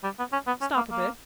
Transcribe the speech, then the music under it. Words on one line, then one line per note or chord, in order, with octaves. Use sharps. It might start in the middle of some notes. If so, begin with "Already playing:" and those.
'Stop a bit.
G3
B3
C#4
B3
C#4
A#3
A#3